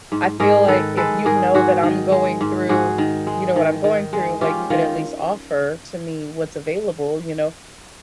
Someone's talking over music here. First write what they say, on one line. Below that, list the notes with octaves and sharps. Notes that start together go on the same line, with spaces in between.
I feel like, if you know that I'm going through, you know, what I'm going through, like, you could at least offer to me what's available, you know,
G#2
G#2 G#4 A#4
D#3 A4 B4
G#3 A4 B4
G#2 G#4 A#4
G#2 F#4 G#4
D#3
G#3
G#2
G#2 F#4 G#4
D#3
G#3
D#3
D#3
G#3
C#4 F4 G4
D#3 F4